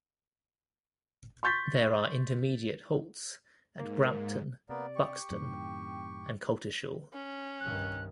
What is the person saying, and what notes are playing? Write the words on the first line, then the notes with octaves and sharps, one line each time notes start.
There are intermediate halts at Brampton, Buxton and Coltishall.
C6 C#6 G6 A6 B6
G#2 A#3
C3 A#3 B3 D5
G4 C#6
F#2 A2 D#3 C4
C#4
C2 G2 D#3 F#6